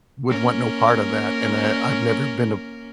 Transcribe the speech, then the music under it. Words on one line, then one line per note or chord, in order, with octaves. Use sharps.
would want no part of that, and I I've never been a
A#3 C#4 A#4